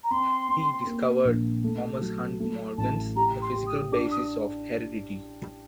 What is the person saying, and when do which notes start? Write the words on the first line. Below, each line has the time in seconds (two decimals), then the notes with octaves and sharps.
He discovered Thomas Hunt Morgan's The Physical Basis of Heredity.
0.03 A#5
0.11 C4 C6
0.49 C4
0.87 A#3
1.25 A#1
1.64 A3
2.01 F#3
2.40 A3
2.77 A1 A5
3.16 G4 A#5
3.42 C6
3.54 G4
3.67 D#6
3.92 D4 D6
4.11 D#6